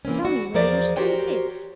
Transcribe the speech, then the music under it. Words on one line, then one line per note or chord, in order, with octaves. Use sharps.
Tell me where your strength is.
E3 A#3 C4 C#4
D4 F#4
E2 F3 G#4 A#4 C5 D5
F#4 G4 A#4 C5 C#5 G5